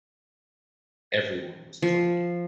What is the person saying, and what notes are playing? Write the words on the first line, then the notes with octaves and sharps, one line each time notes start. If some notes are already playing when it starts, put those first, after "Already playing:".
Everyone was playing.
F3